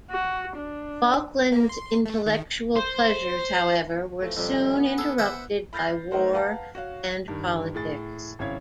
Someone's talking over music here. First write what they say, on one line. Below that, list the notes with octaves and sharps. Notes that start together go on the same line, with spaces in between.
Falkland's intellectual pleasures, however, were soon interrupted by war and politics.
F#4
D4
A#3
C6
A3
D#3
C5
E3 F3 A3
F2 C3 G3
B3
G#4 A4
C5 E5 F#5
B5 F6 G6 A6 A#6 C7
A3 D#4 A#4 C5 F#5
B4 F5 F#5 A5 A#5
F#4 C#5 F5
G2 D#3
A2 G#4 A6
G#1 C#3 E4 C#5 F5 G#6